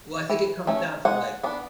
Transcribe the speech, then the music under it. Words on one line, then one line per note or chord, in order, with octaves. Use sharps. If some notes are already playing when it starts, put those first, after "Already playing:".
Well, I think it comes down to, like,
E3
A3 C#4
G#3 F#5
B3 D4